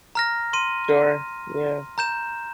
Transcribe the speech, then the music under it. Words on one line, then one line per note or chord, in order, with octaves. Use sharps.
Sure. Yeah.
A#5 F6 A#6
C6 D#7
A#5 G6 E7